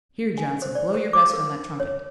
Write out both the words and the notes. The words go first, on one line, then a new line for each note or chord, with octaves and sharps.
Here, Johnson, blow your best on that trumpet.
G#5
C5
D5
C5
D6
A#4
C#5